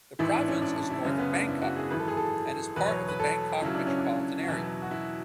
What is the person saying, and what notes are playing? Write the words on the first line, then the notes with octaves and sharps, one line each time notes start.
The province is north of Bangkok and is part of the Bangkok metropolitan area.
A1 G#2 E3 E4
D4
C#4
D4
D4
E4
F#1 F#2 C#3 C#4
B3
D4
E4
F#4
G#4
G#1 F#2 E3 B4
A4
G#4
A4
E2 B2 F#3 B4
C#5
B4
A4
C#2 C#3 F#3 E4
D4
C#4
D4
F#4
E2 B2 F#3 E4
F#4
E4